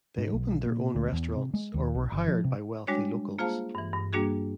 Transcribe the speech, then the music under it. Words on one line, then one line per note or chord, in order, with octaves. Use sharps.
They opened their own restaurants or were hired by wealthy locals.
G#2
B1
A#2
D2
E2
C3
G#3
D#2
B1
G1
F3
C3
G3 G#3 D4 F#4 C#5
A#3 F4 G#4 C5 F5 A5
G2 E3
G2
G3 A#3 D4 F#4 G#4